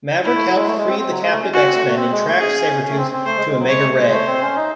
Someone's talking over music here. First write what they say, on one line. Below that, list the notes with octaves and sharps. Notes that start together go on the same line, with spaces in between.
Maverick helped free the captive X-Men and tracked Sabretooth to Omega Red.
E4
A3
F#3
G#3
A3
G#3
C4
C4
F#3
G#3
A3
C#4
C#4 F#4
C4
A3
A3
C4
G#3
A3
C#4 G#4
C#4
A3
C4
C4
A3 C5
G#3
G#3
F#3
G#3 C#5
A3
G#3
A3 C5
C4
C#4
D#4